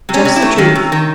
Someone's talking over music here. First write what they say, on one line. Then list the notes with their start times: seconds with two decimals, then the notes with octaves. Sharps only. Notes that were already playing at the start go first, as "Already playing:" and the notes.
"Just the truth."
0.09 C3
0.14 C#4
0.25 C3
0.36 E4
0.42 A3
0.58 D#3 C#4
0.75 C3
0.92 D#3